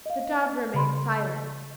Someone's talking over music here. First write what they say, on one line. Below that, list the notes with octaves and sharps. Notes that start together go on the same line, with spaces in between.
The Dove remained silent.
D#5 F5
C#3 B5 C6